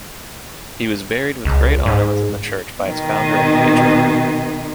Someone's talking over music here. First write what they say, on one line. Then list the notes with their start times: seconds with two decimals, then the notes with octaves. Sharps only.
He was buried with great honour within the church by its founder and patron.
1.45 C#2
1.86 G#2
2.82 B2 D#3